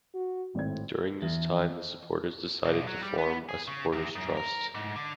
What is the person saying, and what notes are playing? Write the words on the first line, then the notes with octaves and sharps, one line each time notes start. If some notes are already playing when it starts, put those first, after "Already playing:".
During this time, the supporters decided to form a supporters trust.
F#4
G#1 A2 C4 G#6
E2
B1
F#3
G3
B3
G#4
C#3
E2
F#2
A#4
G#2
D3